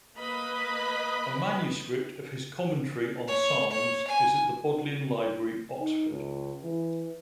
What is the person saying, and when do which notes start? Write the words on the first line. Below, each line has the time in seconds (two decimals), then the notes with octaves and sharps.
A manuscript of his commentary on Psalms is at the Bodleian Library, Oxford.
0.17 A#3 B4 D#5 B5
3.27 C#5
3.71 C#5
4.07 G#5
5.80 D#4
6.11 C#2
6.64 E3